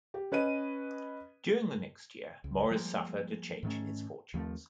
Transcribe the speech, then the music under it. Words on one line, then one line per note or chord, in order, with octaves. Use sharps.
During the next year Maurice suffered a change in his fortunes.
G4
C#4 B4 D#5 D#7
C#2
F3 G3 G#3 A#3
G#2 D#3 A3 C#4
D#2 F3 A3 C4